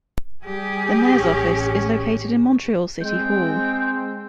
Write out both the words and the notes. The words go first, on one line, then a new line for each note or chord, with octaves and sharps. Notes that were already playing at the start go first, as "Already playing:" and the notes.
The mayor's office is located in Montreal City Hall.
G3 G4 G#4
A1 C#4
G#3 C4 G5